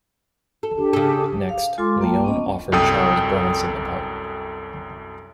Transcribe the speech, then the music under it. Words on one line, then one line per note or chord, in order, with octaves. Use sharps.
Next, Leone offered Charles Bronson the part.
A4
D4 G4
C#3 A4
F5
G#3 F4 A4 G#5 C6 D6
A#3 G5 A5
B3 C#4 D#5
C2 F#2 A4 G5 D#6